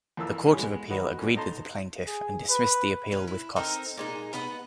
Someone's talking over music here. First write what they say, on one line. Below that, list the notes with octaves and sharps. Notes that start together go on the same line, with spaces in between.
The Court of Appeal agreed with the plaintiff and dismissed the appeal with costs.
F2 E3 A#3 A5 E6
C#2 E3 G3
G#3 B3
D#3 F#4 B4 D#5
F#2 B2
D#4 D#5 A5 A#5 C6
G#4
B4
C#4 B4
E4
C4 D#4 A4 A#4
A#2 G#3 D#4
B3 B4 D#5 F#5